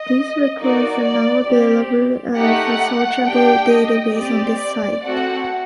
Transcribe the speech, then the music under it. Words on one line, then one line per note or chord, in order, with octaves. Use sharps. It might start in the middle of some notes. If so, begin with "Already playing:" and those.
These records are now available as a searchable database on this site.
Already playing: D#5
A#3 D#4 F#4 D5
D5
C4 G4
A3 D#4 G4 F#5
D4 G4 G5
D#5
C4 G4 D5
D5
A3 C4 F#4 A4 F#5